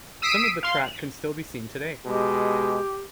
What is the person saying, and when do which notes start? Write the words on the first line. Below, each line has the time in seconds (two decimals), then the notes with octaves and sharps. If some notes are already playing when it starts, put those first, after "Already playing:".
Some of the track can still be seen today.
0.22 D#6 E6 B6 C7 D7 D#7
0.63 F5 C6
2.06 B2 G#3 G4